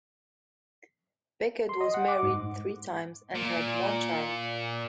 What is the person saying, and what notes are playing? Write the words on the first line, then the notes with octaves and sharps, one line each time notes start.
Beckett was married three times and had one child.
C6
D#5
F#5
D6
G#2
A#2